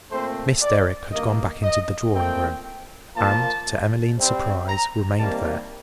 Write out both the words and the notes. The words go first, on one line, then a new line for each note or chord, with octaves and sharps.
Miss Derrick had gone back into the drawing-room, and, to Emmeline's surprise, remained there.
A#2 A3 C4 C5
D5
G2 D#3 A#3 D#5
D#5
A#2 A3 C4 G5
A#2 F3 A#3 A5
C3 G3 C4
A#5
C3 D#3 G3 A#3 A5